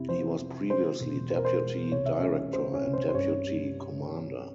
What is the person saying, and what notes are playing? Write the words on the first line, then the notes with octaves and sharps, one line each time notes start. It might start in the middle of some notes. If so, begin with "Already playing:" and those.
He was previously deputy director and deputy commander.
Already playing: F2 C3 E4
F3 C5
C3
G#3 C5
E1
E1 C5
A#4
C5
G#3
C2 C#5
E5
G#3 C#4 C#5
G#3 C5
C#4 C#5
C2
C5
C5
G2 C#4 C#5
G3